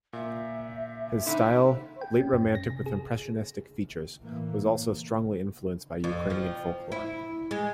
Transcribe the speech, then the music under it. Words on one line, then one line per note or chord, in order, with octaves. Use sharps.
His style, late romantic with impressionistic features, was also strongly influenced by Ukrainian folklore.
A#2 E5
D3 D#4 E4 C5
G5
C#4
F#2
A#6
C3
G#4
A2 E3 A#3
F2
F3
E4
G#3